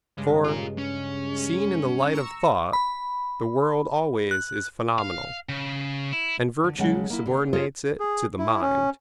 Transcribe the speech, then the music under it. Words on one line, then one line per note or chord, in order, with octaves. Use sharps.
For, seen in the light of thought, the world always is phenomenal; and virtue subordinates it to the mind.
G2 C#3 G#3
F4 A#4
C#4
A#5 C#6 E6
B5
F#6
F5
C#3
E4
D3
D#2 C#3 F#3 G#3 F#5 A5
A#3 E4
D3
F4 G4 A4 C5 C#5 D#5
G#4
E4
C#4